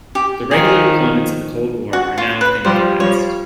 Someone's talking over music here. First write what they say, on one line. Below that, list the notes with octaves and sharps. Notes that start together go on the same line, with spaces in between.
The regular deployments of the Cold War are now a thing of the past.
G4
D#3 F3 G#4
F#4
F4
B4
F3 G3 C5
F3 G3 C#5